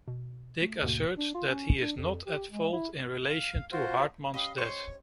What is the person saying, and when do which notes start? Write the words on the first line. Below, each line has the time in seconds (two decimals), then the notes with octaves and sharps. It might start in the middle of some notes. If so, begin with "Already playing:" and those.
Dick asserts that he is not at fault in relation to Hartman's death.
0.08 B2
0.62 A3
0.82 D#2 G#2 B2 D3 A#3
1.18 D4
1.35 F4
1.48 C#4
1.80 D4
1.97 F2
2.27 G4
2.50 G#3
2.73 E4
3.29 F5
3.72 F4 F#4 C5
4.34 C#4 G4 D#5 F5 B5
4.58 C5 C#5 D#5 C6 C#6